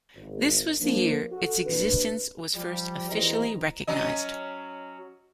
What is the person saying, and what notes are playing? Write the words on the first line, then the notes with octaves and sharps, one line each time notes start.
This was the year its existence was first officially recognized.
G#1
F3 A#3 D4
F#4 A4
C2 A#2 D4 B4
F3 G3
G#1 E2 G3 C5 D#5 A#5
F#3 C#4 D#5